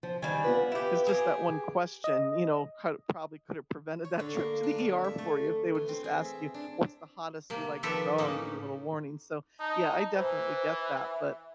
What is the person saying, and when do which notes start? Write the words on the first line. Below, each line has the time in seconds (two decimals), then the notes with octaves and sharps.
'Cause just that one question, you know, could a probably could have prevented that trip to the ER for you, if they woulda just asked you "What's the hottest you like to go?" and give you a little warning, so, yeah, I definitely get that, but
0.03 F3
0.22 D#3 G3 G#5
0.44 B3 F4 B4
0.72 E4 G4
1.07 G4 G#4
2.04 D#5
4.05 C#5
4.19 D3
4.34 A#3
4.63 D4
4.78 F2
5.04 E5
5.18 A3
5.75 E3
5.88 C4
6.04 G#4
6.25 E5
6.54 D4
7.50 C3 A#3
7.83 D#3 F3 G4 A4 B4 E5
8.18 A2 A#3 C#4 D#4
9.60 D#4 A5
10.14 E3 C5
10.80 E5